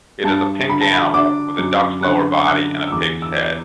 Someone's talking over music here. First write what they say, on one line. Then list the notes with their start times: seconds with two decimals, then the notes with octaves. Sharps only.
It is a pink animal with a duck's lower body and a pig's head.
0.24 G2 A5
0.69 D3 B5
0.81 A5
0.94 B5
1.14 D4 D6
1.59 F#2
2.03 D3 F#6
2.48 D3 F#6
2.87 E6
2.92 E2 D6
3.22 E6
3.37 B3